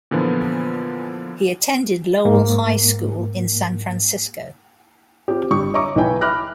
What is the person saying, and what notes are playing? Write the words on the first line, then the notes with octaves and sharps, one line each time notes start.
He attended Lowell High School in San Francisco.
A#2 D3 E3 F3 B3
G#2 A#3
C4 F4 G4
G1 G3 C#6
C#5 D#5 E5 A#5 C#6 D6
B1 D#4 E4 B4 G5 G#5
E5 B5 D6 F6 F#6 A#6